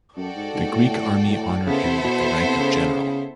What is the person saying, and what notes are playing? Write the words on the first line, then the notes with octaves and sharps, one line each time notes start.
The Greek Army honoured him with the rank of general.
F#2 F#4 A4 D5 G5
G#2
G#2
A2
A2
C#3 B3 E4 A4 C5 E5
C3
B2
C3
C#3